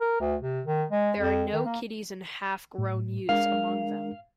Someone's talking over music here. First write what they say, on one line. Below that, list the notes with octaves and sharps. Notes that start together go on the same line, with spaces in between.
There are no kiddies and half grown youths among them.
A#4
D2
C3
D#3
G#3
F2
D#3
A#3
A2
G#3 D4 A#4 F5